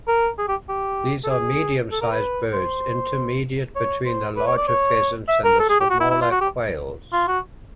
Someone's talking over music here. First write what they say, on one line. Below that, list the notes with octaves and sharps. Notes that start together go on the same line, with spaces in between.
These are medium-sized birds, intermediate between the larger pheasants and the smaller quails.
A#4
G#4
G4
G4
A4
G#4
A4
A#4
B4
C5
C#5
C5
B4
C#5
D5
C#5
E5
A#4
A4
G#4
G4
F#4
E4
E4
F4
F#4
G4
F4
F#4